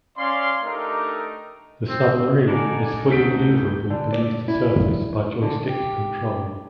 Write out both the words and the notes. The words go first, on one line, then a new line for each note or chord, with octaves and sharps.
The submarine is fully maneuverable beneath the surface by joystick control.
C#4 D5 F5 C6
A3 D4 D#4 G4 A#4
C4
D3 D4 D#4 A#4 D5 G#5
A1 D2 G6 B6 D7
D3
D5
E4
D3
G4